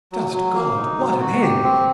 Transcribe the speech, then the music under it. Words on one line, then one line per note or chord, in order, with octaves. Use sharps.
Just God, what an end!
F#3
F#3
A#3
D#4
F#3
F#4
G4
C4